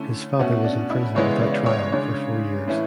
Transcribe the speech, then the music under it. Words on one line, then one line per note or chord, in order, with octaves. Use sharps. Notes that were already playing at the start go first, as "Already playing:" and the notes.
His father was imprisoned without trial for four years.
Already playing: D3 A3 C#4 E4
B2 A3 C#4 F#4
D4
E4
C#3 E3 G#3 B3 E4 C#5
D5
C#5
C#3 G#3 D4 C#5
A2 E3 A3 C#4 E4